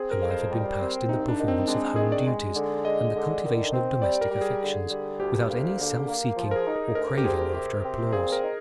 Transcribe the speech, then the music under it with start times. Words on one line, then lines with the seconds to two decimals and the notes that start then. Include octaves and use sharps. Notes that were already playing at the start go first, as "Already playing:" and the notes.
Her life had been passed in the performance of home duties, and the cultivation of domestic affections, without any self-seeking or craving after applause.
Already playing: C4 G#4
0.11 A#4
0.21 F2
0.31 C5
0.50 G3
0.79 C4
1.08 C2 D#4
1.28 D4
1.38 D#3
1.48 C4
1.67 G#3 D4
1.96 D#3 G#4
2.12 D5
2.26 G#3
2.56 D3
2.85 G#3 D#5
3.15 D3
3.44 D#3
3.73 C4
4.02 G3 D5
4.21 A#4
4.31 G3
4.41 G#4
4.61 D3
4.90 G3
5.20 D2 G4
5.49 A#3
5.79 D3
6.08 A#3
6.36 F3
6.51 A#4
6.56 G#4
6.66 D#4
6.76 A#4
6.95 D2 A#4
7.18 G4
7.24 C4 G#4
7.54 C3 G4
7.84 C4
8.12 A#2 G#4
8.32 A#4
8.42 D#4